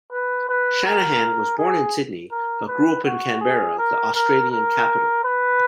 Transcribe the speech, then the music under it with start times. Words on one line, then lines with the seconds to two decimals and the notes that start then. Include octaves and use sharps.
Shanahan was born in Sydney, but grew up in Canberra, the Australian Capital.
0.12 B4
0.49 B4
0.86 A#4
1.58 G#4
2.31 A#4
2.68 B4
3.05 F#4
3.41 G#4
3.78 A#4
4.15 A#4
4.52 A#4
5.24 B4